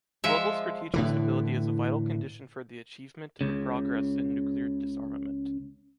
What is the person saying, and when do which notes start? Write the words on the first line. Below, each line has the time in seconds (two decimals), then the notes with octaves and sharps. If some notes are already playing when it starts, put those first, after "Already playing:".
Global strategic stability is a vital condition for the achievement the progress in nuclear disarmament.
0.24 F3 G#3 E5
0.94 A2 D3 E3
3.41 C#2 C#3